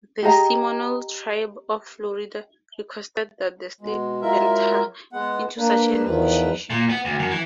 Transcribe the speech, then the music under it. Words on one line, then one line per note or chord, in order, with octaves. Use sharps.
The Seminole Tribe of Florida requested that the state enter into such a negotiation.
G4 G#4 D#5 A#5
B2 G#3
F#3 G#3 E4 F4 A#4 E5
G#3 B3 F#5
A#3 D4 B4
E2 D#3 F3 B4
A#2
B3
D2
F#2
E3